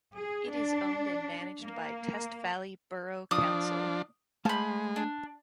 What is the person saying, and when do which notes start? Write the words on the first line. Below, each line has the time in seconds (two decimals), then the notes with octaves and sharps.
It is owned and managed by Test Valley Borough Council.
0.17 G#4
0.51 D4
1.62 A#3
3.31 F3 D4 D6 D#6
4.45 G#3 A3 C5 F5 A5 B5
4.96 D4